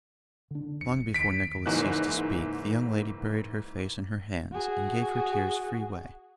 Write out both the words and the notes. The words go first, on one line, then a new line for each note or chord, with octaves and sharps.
Long before Nicholas ceased to speak, the young lady buried her face in her hands, and gave her tears free way.
D3 D4
F#1 F2 C#7
D#2 B6 D7
F#1 G#2 E3 A#3 F#6
F#4 G#4